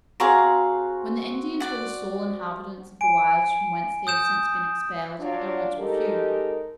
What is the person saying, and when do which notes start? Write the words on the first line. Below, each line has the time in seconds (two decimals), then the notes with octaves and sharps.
When the Indians were the sole inhabitants of the wilds from whence they have since been expelled, their wants were few.
0.20 C4 F#4 G#4 F5 A#5 C6
1.60 D5 F#5
3.01 G#5 D7
4.07 D#6 G6 E7
5.21 F#3 D4 F4
5.78 G#3 D#4 G4 A4 A#4